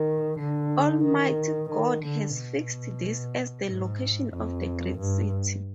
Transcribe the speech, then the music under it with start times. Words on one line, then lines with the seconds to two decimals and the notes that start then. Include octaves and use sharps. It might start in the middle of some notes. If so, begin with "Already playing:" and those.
Almighty God has fixed this as the location of a great city.
Already playing: D#3
0.39 D3
1.05 D#3
1.70 D#3
2.04 D3
2.36 B2
3.67 G#2
4.33 F2
4.99 G2